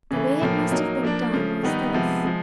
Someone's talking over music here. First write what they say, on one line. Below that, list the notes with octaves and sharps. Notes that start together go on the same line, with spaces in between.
The way it must have been done was this.
C#3 E3 A3
A2 F3 A#3
F#3 A#3 D#4
F3 A#3 D4
C#3 F3 A3
D#3 G3 B3 D#4
C3 F3 G#3 B3
F3 G#3